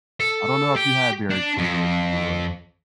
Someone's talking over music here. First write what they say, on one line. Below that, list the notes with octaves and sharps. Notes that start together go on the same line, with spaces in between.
I don't know if you had Dairy Queen where you grew up.
A4
G4
D4
F2